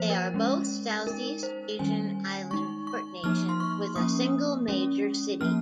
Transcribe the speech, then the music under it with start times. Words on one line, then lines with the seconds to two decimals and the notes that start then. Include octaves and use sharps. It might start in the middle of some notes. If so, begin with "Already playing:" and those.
They are both Southeast Asian island port nations with a single major city.
Already playing: F3 A#3 C5
0.10 A#4
0.34 G#3 C#4
1.07 G#3 D#4 A#4
1.43 C5
1.79 D#3 G3 C#4 G#5
2.51 G#3 D#4 C#6
2.87 C#6
3.24 F3 A#3 D#4 F6
3.49 C6
3.60 C#6
3.96 F3 A#3 C#4 D#6
4.68 G#3 C#4
5.41 F3 A#3 C#4 F6